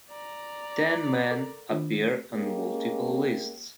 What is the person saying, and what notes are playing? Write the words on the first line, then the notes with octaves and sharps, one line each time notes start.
Ten men appear on multiple lists.
D5 A#5
A4 A#4 D6
D#3 D4 F4
G#3 A#3 C#4 G4